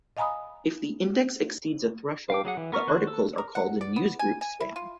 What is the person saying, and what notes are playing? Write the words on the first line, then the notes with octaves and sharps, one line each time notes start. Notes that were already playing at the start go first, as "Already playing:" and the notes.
If the index exceeds a threshold the articles are called newsgroup spam.
D#5 F5 G#5 A#5 B5 D#6
F5 G5 D6
F#3 G#4 F#5
E3
B3 A#4 C#6 F6
D#3 F#4 C5 F#6
A4 E6
A#4
F#5
D5
B3
G#5
G#5
E4
F4